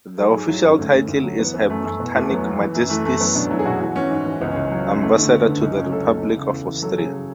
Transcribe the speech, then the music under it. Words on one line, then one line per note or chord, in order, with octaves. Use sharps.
The official title is Her Britannic Majesty's Ambassador to the Republic of Austria.
F#3 A4
G#2 G#4
F#3 E4
G#2 C#4
D2
D2
D2
F#3
E3 B3
F#2 B3
F#2 A3
F#2 A3
B2 B3
E2 A3
F#3 B3
E2
E3
F#2
E3 A3
F#2 A3
F#3 B3
B2 D4
F#3 E4
G#4
B2 F#4
E3 F#4
E3 C#4
G#2
E3
C#2 B3
C#4
C#2
F#3
C#3
E2 A3
D3
D3 B3
D3
C#2
C#2 C#4
F#3 A4
C#2 A4
E2
C#3
E2
E3
F#3 A4
C#3 G#4
F#3